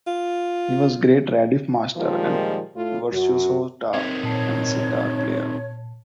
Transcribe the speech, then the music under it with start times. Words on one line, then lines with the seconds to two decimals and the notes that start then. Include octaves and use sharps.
He was a great radif master and virtuoso tar and setar player.
0.07 F4
1.97 A#2 D#3 F3 G3 G#3 A#3
2.76 A2 F4
3.12 F#2 F#4
3.94 C3 D#3 C#5 G#6
4.24 A#2 C#5 A5 C7